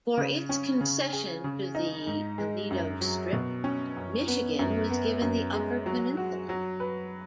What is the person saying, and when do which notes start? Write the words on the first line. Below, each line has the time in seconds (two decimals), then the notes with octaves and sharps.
For its concession to the Toledo Strip, Michigan was given the Upper Peninsula.
0.17 C#3
0.49 C#4
0.81 C#3
1.13 G#4
1.44 C#3
1.75 D#4
2.07 G#2
2.38 G#3
2.70 F#2
3.01 F#3
3.33 B2
3.64 C#4
3.97 F#2
4.28 B3
4.59 F#2
4.90 B3
5.22 F#2
5.54 G#3
5.86 F#3
6.17 F#4
6.49 F#3
6.80 B4